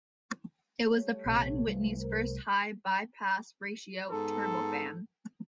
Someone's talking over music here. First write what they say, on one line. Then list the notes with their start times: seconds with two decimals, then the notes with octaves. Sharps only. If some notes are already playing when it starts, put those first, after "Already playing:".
It was the Pratt and Whitney's first high-bypass-ratio turbofan.
0.87 G3 A3 C#5
1.26 A#1 C3
1.66 C2 E3 F3 G3 A3
1.99 A#4 C5
4.11 G#2 B3 A4